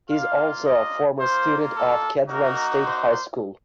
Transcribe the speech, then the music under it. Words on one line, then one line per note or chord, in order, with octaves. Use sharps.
He is also a former student of Kedron State High School.
A#3 F4 F5
D#5
A#3 F4 C5
A4
A#3 D#4 F#4 A#4
C5